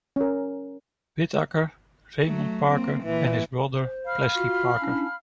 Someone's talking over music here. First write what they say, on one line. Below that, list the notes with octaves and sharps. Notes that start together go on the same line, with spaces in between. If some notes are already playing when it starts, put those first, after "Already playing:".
Whitaker, Raymond Parker and his brother Plessey Parker.
C#4 A#4
F#3 A3
A#3 C4
A#2 E3
C5
F5 B5 F6
F4 F#4
C#4 D4 E4